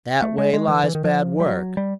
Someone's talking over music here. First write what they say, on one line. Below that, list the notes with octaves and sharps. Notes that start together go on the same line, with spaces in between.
That way lies bad work.'
A3
G#3
G#3
E3
E3
D#3
F3
G3
F#3
G3